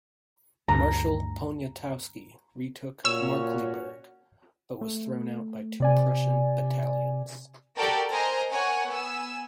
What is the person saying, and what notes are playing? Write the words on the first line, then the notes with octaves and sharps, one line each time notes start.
Marshal Poniatowski retook Markkleeberg, but was thrown out by two Prussian battalions.
D2 G2 D3 A#5
A#2 C#4 F#4 C#5 E6
A3
C3 D5 G#5
F#4 G4 A4 A#4 D5 G5
A#4 C5 D#5 G#5 A#5
A#4 C#5 F#5 G#5 C#6
B3 G#5 E6